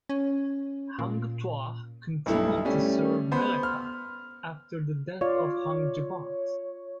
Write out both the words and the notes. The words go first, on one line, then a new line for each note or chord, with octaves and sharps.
Hang Tuah continued to serve Melaka after the death of Hang Jebat.
C#4
A#2
B1 G2 E4 A4
G3 A3 C#4
B3 C5 B5
F6
F4 C#5 D5 F5